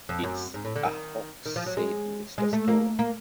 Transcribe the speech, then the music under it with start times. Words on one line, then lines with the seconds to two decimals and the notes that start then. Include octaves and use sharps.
"It's a hoax," said Mr. Stone.
0.09 F2
0.24 F#2
0.54 G#2
0.65 A2
0.76 D3
0.85 D#3
1.46 D#3
1.56 F3
1.66 F#3
1.77 G#3
2.38 G#3
2.53 A3
2.68 A#3
2.99 A#3